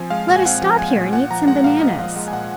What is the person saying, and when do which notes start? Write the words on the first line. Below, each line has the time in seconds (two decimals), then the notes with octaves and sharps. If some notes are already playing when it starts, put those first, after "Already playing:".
Let us stop here and eat some bananas.
Already playing: F3 C4 G#5
0.10 G#3 F5
0.28 A#2
0.36 G#5
0.45 C4 F#5
0.62 F3
0.79 G#3 G#5
0.96 A#2
1.13 A#2 F#5
1.31 F3 A#5
1.48 G#3 F#5
1.64 A#2 F5
1.81 A#2 D#5
1.98 F3 F#5
2.16 G#3 F#5
2.28 G#5
2.33 A#2 F#5